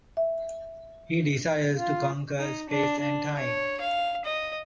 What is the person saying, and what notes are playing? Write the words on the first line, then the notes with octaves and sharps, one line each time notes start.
He desires to conquer space and time.
E5
F4
D#4
D4
D4
C#5
F5
D#5